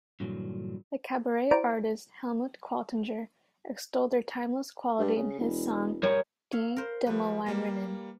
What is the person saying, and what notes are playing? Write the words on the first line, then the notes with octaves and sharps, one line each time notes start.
The cabaret artist Helmut Qualtinger extoled their timeless quality in his song "Die Demelinerinnen".
G2 A#2 D3 E3 F#3
E4 C5 D5 A#5 D7
G2
C#3
E1
G3 A#4 C#5
C#5 E5 F5
A#4 C5
F3 G3 B4
G3 A#3